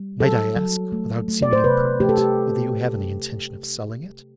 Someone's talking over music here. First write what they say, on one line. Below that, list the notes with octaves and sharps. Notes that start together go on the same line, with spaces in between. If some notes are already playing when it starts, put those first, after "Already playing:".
'Might I ask, without seeming impertinent, whether you have any intention of selling it?'
Already playing: G3
F#3 A4
F#3
A3
A3
D5
C5
C3 B4
A3 G4
A4
G4